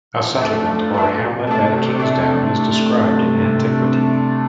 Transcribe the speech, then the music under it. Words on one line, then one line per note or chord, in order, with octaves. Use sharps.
A settlement or hamlet at Kingsdown is described in antiquity.
F3
A3 D4
F3
A3 D4
C3
A3 D4
C3
A3 D4